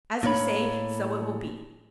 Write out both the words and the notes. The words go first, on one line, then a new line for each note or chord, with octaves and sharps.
As you say, so it will be.
A2 A#3 C#5 B5